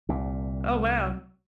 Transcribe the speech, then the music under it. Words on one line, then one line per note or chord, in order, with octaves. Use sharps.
Oh, wow.
C2 A#2